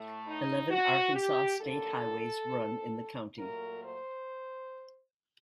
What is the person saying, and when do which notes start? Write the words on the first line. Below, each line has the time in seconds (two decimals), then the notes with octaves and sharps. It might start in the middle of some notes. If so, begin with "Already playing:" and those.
Eleven Arkansas state highways run in the county.
Already playing: A2 A3
0.27 D#4
0.71 F#4
1.15 G4
1.59 D#2 D3 F#3 A#3 A4
3.36 A#2 F#3 A3 A#4
3.81 C5